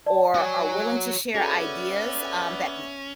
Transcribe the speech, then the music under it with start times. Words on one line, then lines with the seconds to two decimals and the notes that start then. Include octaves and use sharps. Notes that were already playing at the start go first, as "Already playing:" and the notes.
or are willing to share ideas, um, that
0.06 D5 A5
0.35 F#4 C#5 G#5
1.35 B3 C#4 F#4 G#4 A4 D5 E5